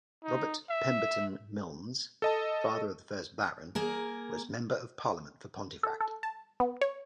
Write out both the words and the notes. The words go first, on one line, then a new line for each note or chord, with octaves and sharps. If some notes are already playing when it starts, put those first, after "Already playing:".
Robert Pemberton Milnes, father of the first Baron, was Member of Parliament for Pontefract.
D#4
E5
A4 D#5 A5
A#3 G#4 A#4
A4
A4
A5
B3
C#5